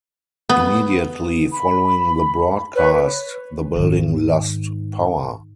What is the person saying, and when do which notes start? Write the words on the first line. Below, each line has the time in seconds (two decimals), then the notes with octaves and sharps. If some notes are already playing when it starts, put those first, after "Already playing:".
Immediately following the broadcast, the building lost power.
0.49 B3
1.52 B5
2.75 B4 C#5
3.76 G#2 D#3